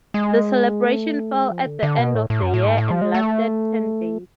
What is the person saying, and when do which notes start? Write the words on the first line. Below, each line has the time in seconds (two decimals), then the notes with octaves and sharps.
The celebration fell at the end of the year and lasted ten days.
0.14 G#3
0.86 A3
1.34 G#3
1.51 F3
1.66 D3
1.83 D3
1.98 B2
2.15 A2
2.30 A2
2.42 F#2
2.54 A2
2.66 G#2
2.78 A2
2.90 F3
3.02 G#3
3.14 A3